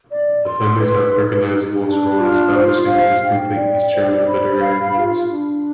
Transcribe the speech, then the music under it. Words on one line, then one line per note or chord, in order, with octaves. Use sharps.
Defenders have recognized Wolf's role in establishing a distinctly East German literary voice.
D5
C6
B4
D#4
D#4
D4
F4
C5
F5
G5
D5
C5
B5
F5
F4
D4